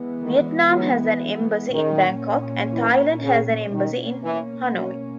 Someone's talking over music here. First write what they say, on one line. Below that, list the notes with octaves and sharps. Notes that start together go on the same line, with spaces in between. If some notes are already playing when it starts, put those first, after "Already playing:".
Vietnam has an embassy in Bangkok, and Thailand has an embassy in Hanoi.
Already playing: E3 G#3 B3
D#3
F#3
A#2 D#3 A#3 C#4
E3
C#3
B2 D#3 A#3 C#4
E3
F#3